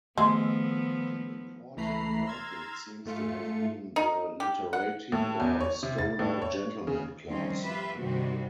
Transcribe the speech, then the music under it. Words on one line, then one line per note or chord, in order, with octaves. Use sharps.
An important market seems to have been the "literati" or scholar-gentleman class.
D#3 F3 G#3 A3 B3 E6
C#2 E3 A3 A#5 B5 C7
A#5 C6 E6 F6 G#6 A6
G#2 A3 F4 C#7
D#4
G4
F#5
A2
E2
C#5
C3
A6
A2
C#5
C#3
D#3 F3 G3 C4 C#4 D#4
F4 G4 B4 E5
G2 C3 D#3 G3 C4 F#4